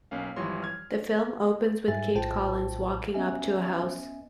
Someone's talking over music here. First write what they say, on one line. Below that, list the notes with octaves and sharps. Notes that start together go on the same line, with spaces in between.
The film opens with Kate Collins walking up to a house.
B1 A#3 C#4 F5
G#1 E3 F3 G3 C#5 C6
F6 G#6
G#2 G3 E5 G#5 A6
A#1 A2 F4 C5 G5 A5
B3 C#4 D#5 E5 G#5